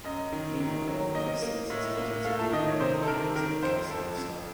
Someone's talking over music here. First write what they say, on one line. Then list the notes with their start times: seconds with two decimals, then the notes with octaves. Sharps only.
Meanwhile, Preston is attempting to woo Marie with his upper-class lifestyle.
0.04 F#2 D#5
0.32 D#3
0.60 D#3
0.87 F#3
1.14 A#3 D#5
1.42 A#3
1.70 A2
1.97 A#3
2.25 A3 F5
2.39 A5
2.52 D#3 D#5
2.67 C#5
2.80 C3 C5
3.03 A4
3.08 D#3 A#4
3.35 D#3 A#4
3.62 F2 C5
3.91 F2 A4
4.18 F2